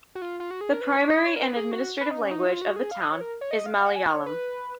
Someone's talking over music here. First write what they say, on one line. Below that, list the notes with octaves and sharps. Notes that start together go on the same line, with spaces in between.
The primary and administrative language of the town is Malayalam.
F#4
F4
F4
F#4
G#4
A#4
B4
C#5
D#5
C#5
A#4
B4
G#4
F#4
B4
D#4
C#4
D#4
F4
F#4
G#4
F5
D#5
C#5
A#4
C#5
D#5
F5
F#5
G#5
C#5
B4